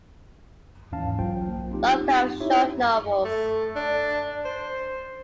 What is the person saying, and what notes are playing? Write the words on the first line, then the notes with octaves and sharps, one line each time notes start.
Lovecraft's short novels.
D#2 G#2 E3 C#4 F5 A5
B1 F#3 F4 C5 G5
A#3
C4 D#4 F4 G4
D#4 E4 G4 C#5 E5
A3
D4
C5